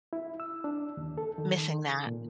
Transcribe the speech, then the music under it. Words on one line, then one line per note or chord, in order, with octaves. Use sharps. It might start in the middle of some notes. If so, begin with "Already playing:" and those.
Missing that.
E4
E6
D4
D#2
A4
D#3
A#2